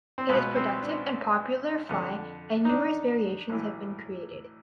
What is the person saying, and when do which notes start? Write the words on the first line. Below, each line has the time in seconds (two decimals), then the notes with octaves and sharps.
It is productive and popular fly and numerous variations have been created.
0.18 C4
0.29 C#2 B2 B3
0.56 C4
0.82 D4
1.89 F2 D3
2.65 D#4
2.69 D4
3.50 B1 A2 E3